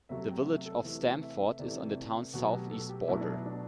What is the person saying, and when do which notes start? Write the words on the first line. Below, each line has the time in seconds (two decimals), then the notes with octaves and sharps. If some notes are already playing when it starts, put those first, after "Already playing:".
The village of Stamford is on the town's southeast border.
0.09 C3 F#3 A3 E5
0.29 G5
0.47 E5
0.66 A4
0.84 C3 E3 A3
1.22 E5
1.59 C3 E3 A3 D5
2.34 B2 F#3 A3 F#4
2.52 G4
2.71 A4
2.89 G4
3.08 B2 F#3 A3 E4
3.21 D4
3.32 E4
3.46 D4